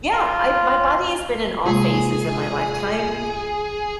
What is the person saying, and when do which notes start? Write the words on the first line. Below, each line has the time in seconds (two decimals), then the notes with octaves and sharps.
Yeah! I my body has been in all phases in my lifetime,
0.15 F4
1.67 C3 G#3 A#3 F4 G#4 G#5